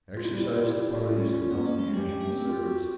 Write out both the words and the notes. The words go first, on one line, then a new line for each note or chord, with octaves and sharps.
Exercised the ponies and held the usual service.
F4
G3 E4
E4
F4
E4
E4
F4
C#4 F4
F4
F4
B3
A#3
G#3
G3 G4
G3
A3
C4
F4
F#4